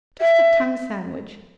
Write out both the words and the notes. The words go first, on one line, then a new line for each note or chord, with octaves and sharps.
Just a tongue sandwich.
E5